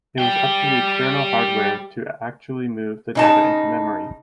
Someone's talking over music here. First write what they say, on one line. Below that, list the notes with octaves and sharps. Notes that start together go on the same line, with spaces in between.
It was up to the external hardware to actually move the data into memory.
G3 G5
C#3 D#4 A5